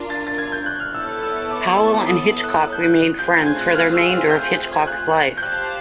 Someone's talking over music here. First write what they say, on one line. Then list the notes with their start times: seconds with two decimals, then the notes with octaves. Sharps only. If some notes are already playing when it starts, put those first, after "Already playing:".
Powell and Hitchcock remained friends for the remainder of Hitchcock's life.
Already playing: D4 F4 A#4
0.10 A6
0.27 A6
0.38 G#6
0.52 G6
0.66 F#6
0.80 F6
0.94 B3 E4 A4 C#5 E6
1.23 E6
1.51 D6
2.07 D#6
2.43 F#6
2.62 F#6
2.73 G6
2.83 F#6
3.19 A3 C4 F4 G#4 C5 G6
3.33 G6
3.46 G#6
3.61 F#6
3.74 F6
3.94 E6
4.12 F6
4.30 G6
4.73 G#6
4.87 F#6
5.37 G6
5.42 G4 C5 F5 A5 F#6